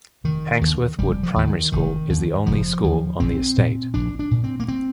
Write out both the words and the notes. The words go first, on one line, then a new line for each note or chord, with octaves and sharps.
Hawksworth Wood Primary School is the only school on the estate.
F1 D#3
D#2 D3
F1 G3
F3
D#2 D3
D#3
F1 D#3
D#2 D3
F1 F3
D#2 D3
A#1 C4
A#2
A#1 D4
D4
A#2
C4
A#3
C4